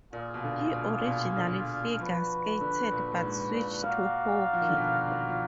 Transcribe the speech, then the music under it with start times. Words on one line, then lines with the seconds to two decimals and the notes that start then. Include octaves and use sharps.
He originally figure skated but switched to hockey.
0.13 A#2 F4 G#4 D5 F5
0.34 B2
0.44 D3
0.75 B2
1.00 A#2
1.05 B2
1.37 D3
1.99 F3 D4 F#4 B4
2.61 D3
2.91 A#2
3.12 A#2
3.23 G#2
3.53 A#2
3.84 A#2 F#4 A#4 D5 F5
4.53 F3
4.61 D#3
4.69 D3
4.77 B2
5.08 D#3
5.28 F3